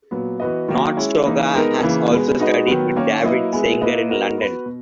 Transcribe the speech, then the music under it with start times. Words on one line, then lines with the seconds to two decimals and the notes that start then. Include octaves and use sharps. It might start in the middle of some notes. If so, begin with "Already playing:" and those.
Nordstoga has also studied with David Sanger in London.
0.11 A#2 F#3 B3
0.40 E3 B3 F#4 B4 D#5
0.68 D#3 F#3 A#3
0.97 G#3 C#4 E4
1.25 E3 A#3 D#4
1.53 G#3 B3 D#4 A#4
1.82 C#3 E3 A#3
2.10 B2 G#3 B3
2.39 G#3 D#4 F#4 B4 D#5
2.67 D#3 F#3 B3
2.96 D#3 A#3 C#4
3.24 F#3 A#3 E4 B4 D#5
3.53 G#3 B3 E4 G#4
3.82 A#3 E4 B4 D#5
4.09 B3 F#4 A#4 D#5
4.38 B3 F#4 B4
4.66 B2